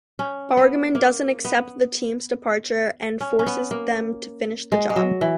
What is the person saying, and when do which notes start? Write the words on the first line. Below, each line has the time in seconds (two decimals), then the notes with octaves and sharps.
Bergman doesn't accept the team's departure and forces them to finish the job.
0.19 C#4
0.57 B3
0.95 A#3
1.45 B3
3.21 C#4
3.39 C#4
3.46 B3
3.71 A#3
4.72 G#3
4.90 G#3
4.96 F#3
5.21 E3